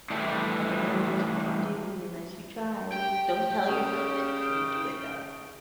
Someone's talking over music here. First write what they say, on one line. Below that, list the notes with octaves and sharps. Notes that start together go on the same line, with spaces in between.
You never know what you can do unless you try. Don't tell yourself that you can't do it, though,
E3 G3 A3 D4
G4 G5
C#3